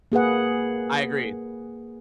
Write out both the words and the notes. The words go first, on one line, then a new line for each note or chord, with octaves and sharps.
I agree,
A#3 G#4 B4 F#5